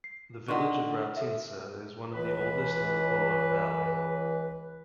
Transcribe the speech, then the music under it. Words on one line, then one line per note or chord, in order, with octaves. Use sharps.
The village of Raotince is one of the oldest in the Polog Valley.
C7
D3 D#4 F#5 C6 C#6
A4 E5
C#2 E3 B4